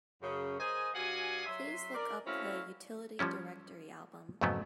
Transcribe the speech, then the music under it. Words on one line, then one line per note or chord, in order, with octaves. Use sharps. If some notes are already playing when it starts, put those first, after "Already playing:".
Please look up the Utility Directory album.
F#2 C#3
G#4 A#4 C5 D#5 G#5
G2 F#4 F5 F#5 G#5
F#3 E5 C6
A#4 D5
A3 C4 C#4 E4 F#4 F5
F3 G3 C#4 E4
F2 G#2 C#3 F#3 A3 B3